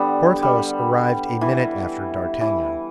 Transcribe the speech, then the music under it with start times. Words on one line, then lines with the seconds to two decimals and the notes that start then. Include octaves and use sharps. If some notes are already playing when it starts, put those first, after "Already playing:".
Porthos arrived a minute after d'Artagnan.
Already playing: D3 G3 B3
0.42 G3
1.41 E3
2.41 E3